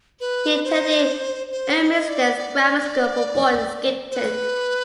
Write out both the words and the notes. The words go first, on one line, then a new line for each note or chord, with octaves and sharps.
He attended Ermysted's Grammar School for boys in Skipton.
B4
C5
C5
D#5
D5
D5
C5
B4